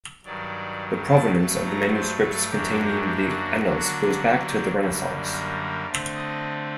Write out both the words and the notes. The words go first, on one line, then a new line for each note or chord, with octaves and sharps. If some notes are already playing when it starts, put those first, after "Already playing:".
The provenance of the manuscripts containing the "Annals" goes back to the Renaissance.
G2 D#3 F#3 D5
A5
G2 F#3 A3 A5
A#5
C5
A4
F#2 F#3 A#3 D4 G4
G4
G4
F#4
D3 F#3 A#3 D4
F#4
G4
F#2 D3 G3 A#3
A#4
D3 A3 C4
D#5